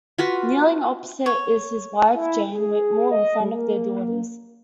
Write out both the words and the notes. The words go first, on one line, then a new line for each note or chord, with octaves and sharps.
Kneeling opposite is his wife Jane Whitmore in front of their daughters.
F4 F#4 B4
C#5
E4
G#4
D#5
G3
A#3